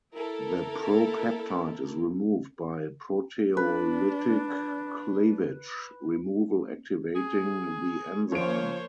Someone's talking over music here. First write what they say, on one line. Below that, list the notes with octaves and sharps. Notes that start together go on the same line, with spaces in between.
The propeptide is removed by proteolytic cleavage; removal activating the enzyme.
E4 A4 A#4
D4 B4
G#4
F3 A#3 C#4 C5 C#5 D7